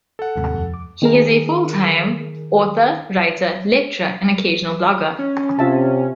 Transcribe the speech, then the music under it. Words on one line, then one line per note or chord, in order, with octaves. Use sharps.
He is a full-time author, writer, lecturer and occasional blogger.
A4 F#5
D#2 G#2 C3
F2
D6
D#3 G#4 A#4
C#4
C3 F4 E5 A5